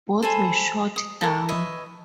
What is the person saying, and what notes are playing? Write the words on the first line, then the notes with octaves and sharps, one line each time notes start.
Both were shot down.
A4 C5 G#5 B5
D#6
A4 A#4
B4 C#5 D#5 E5